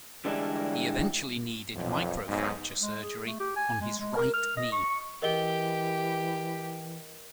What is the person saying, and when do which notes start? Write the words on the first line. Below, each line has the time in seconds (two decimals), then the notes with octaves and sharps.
He eventually needed microfracture surgery on his right knee.
0.25 D3 E3 G3 G#3 D4 E4
1.74 B1 F2
2.27 B1 G#2
2.81 G#3
3.03 G#4
3.27 A3
3.40 G4
3.56 G#5
3.81 G#3
3.99 G#3
4.16 A#4
4.34 F6
4.57 D#5
4.72 C#6
5.22 E3 G4 A#4 D#5 G7